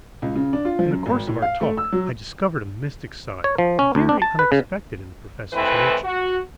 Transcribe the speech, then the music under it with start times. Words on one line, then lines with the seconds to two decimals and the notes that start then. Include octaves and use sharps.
In the course of our talks I discovered a mystic side, very unexpected, in the professor's nature.
0.22 C#2
0.36 C#3
0.53 D4
0.65 F4
0.79 F3
0.91 F#2
1.06 G#1
1.27 A2
1.42 F5
1.61 A3
1.77 E6
1.92 F#3
3.44 C#5
3.58 F3
3.79 C#4
3.95 D2
4.09 D4
4.22 A5
4.39 B4
4.52 C#3
5.53 D#2 E3 A3 C4 E4 B4
6.04 F#4